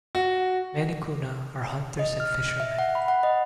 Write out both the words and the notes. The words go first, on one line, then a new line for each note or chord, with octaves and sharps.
Many Kuna are hunters and fishermen.
F#4
D#5
F6
E5
F#5
B5
F#5
D#5